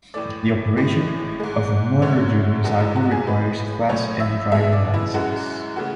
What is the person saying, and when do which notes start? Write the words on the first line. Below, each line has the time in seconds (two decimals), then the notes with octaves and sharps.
The operation of a motor-driven cycle requires a class M driver license.
0.14 A2 E3 A3 D5
0.77 A2 E3 G#3
1.40 G#2 G#3
2.02 F#2 D3 A3 C#5
2.64 E2 D3 G#3 F#4
2.80 E4
2.96 F#4
3.11 G#4
3.27 A2 G#3 B4
3.89 A2 F#3 A3 C#5
4.20 E5
4.52 B2 G#3 E5
4.73 D5
4.94 E4
5.14 F#2 E3 G#3 F#4
5.76 C#3 E3 A3 F#4